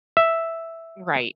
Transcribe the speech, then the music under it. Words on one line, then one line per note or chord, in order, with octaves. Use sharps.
You're right.
E5